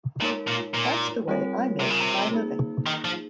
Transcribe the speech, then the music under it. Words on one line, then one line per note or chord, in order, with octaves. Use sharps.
That's the way I make my living.
A#2 G#3 D#4 A#4 C#5
A#2
A#2
G3 C4 F4 A#4 C#5
C3
C#3
C3
A#3 D#4 G#4
D#3
F3